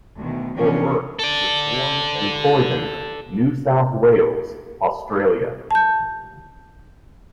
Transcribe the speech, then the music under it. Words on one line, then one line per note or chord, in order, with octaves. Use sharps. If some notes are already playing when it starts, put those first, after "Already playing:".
O'Rourke was born in Croydon, New South Wales, Australia.
D2 B2 D#3
C3 E3 F3 B3 C#4 D4
A4 D5
A5 G6